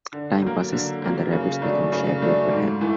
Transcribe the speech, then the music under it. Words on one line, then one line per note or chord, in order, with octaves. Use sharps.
Time passes, and the rabbit becomes shabbier but happy.
D3
F#3 A#3
D3
F#3 A#3
C#3
F#3 A3 D4
C#3
F#3 A3 D4
G#2
E3 A3